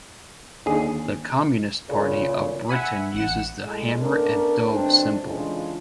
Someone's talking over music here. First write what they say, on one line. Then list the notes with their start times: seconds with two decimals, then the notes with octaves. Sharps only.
The Communist Party of Britain uses the hammer and dove symbol.
0.66 D#2 D3 G#4
1.89 D2 A#2 C#3
2.69 E5 F#5 G#5 B5
3.14 A1 F#5 E7
3.65 A2 G#3
3.99 A3 B3 C#4 D4 A#4
4.64 E2 B2 A3 C4 D4
5.22 D2 C#3 E3 G#3 D4 F4